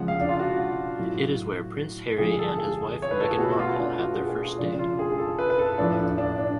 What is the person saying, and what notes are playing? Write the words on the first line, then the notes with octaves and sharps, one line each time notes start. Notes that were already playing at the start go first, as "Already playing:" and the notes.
It is where Prince Harry and his wife Meghan Markle had their first date.
Already playing: C#3 F3 G#3 F#5
F5
D4
F4
F#4
A2 F#3 A3
D3 F3 G#3 G#4
A4
G#4
C#5
B4
A4
G#4
B2 A3 F#4
F#4
F4
D4
F#4
G#4
G#4
F4
C#3 F3 G#3 D4
D4
F4
G#4
A4
B4
B4
A4
A2 F3 A3 D4
D4
D4
D4